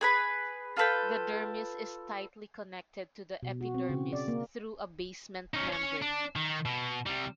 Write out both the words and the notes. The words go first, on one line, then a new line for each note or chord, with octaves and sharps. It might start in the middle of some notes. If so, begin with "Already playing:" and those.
The dermis is tightly connected to the epidermis through a basement membrane.
G#4 B4 B5
F4 A4 B4 G5
B2
F#4
C4
C#3
D5
A#3
C#4 D#4
C#4 C#5
D4
D#3
B2
C3 G3